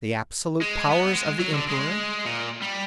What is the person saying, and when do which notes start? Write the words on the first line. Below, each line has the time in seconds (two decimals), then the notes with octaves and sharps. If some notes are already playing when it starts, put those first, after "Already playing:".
The absolute powers of the Emperor.
0.61 G#3
0.90 B3
1.13 G#3
1.40 F#3
1.54 D3
1.69 G#3
2.26 A#2
2.62 G3